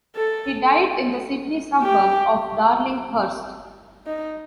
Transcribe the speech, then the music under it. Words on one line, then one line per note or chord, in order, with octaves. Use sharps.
He died in the Sydney suburb of Darlinghurst.
A4
G4
D#4